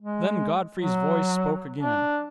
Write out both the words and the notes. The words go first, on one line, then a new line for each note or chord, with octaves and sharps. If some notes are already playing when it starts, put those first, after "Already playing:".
Then Godfrey's voice spoke again.
G#3
F#3
D4